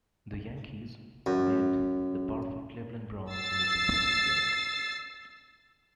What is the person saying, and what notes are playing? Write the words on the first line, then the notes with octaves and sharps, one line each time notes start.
The Yankees met the powerful Cleveland Browns in the championship game.
F#2
E6 A6 C7